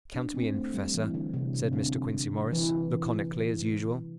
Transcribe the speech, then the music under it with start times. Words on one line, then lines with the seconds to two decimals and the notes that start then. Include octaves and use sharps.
"Count me in, Professor," said Mr. Quincey Morris, laconically as usual.
0.15 D4
0.34 C4
0.54 A3
0.74 G3
0.94 E3
1.14 D3
1.34 C3
1.54 C3
1.73 D3
2.53 E3